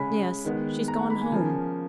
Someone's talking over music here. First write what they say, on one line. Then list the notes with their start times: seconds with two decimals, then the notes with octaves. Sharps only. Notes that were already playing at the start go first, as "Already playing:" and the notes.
"Yes, she's gone home."
Already playing: C#3 G#3 C#4 G#5 B5
0.44 D#3 G#3 B3
0.88 A#5
0.99 F#5
1.10 B5
1.21 G#5
1.31 C#3 F3 A#3 C#4 G#5